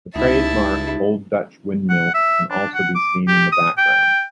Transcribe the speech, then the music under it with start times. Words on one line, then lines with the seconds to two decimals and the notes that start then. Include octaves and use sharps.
The trademark Old Dutch windmill can also be seen in the background.
0.15 C#2 D#4 E4 G4 A5
1.89 F#5
2.14 E5
2.50 D4
2.74 F#5
2.95 D6
3.28 G4
3.52 D#6
3.77 G5